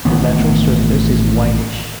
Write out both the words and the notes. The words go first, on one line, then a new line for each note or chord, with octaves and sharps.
The ventral surface is whitish.
A1 D#3 B3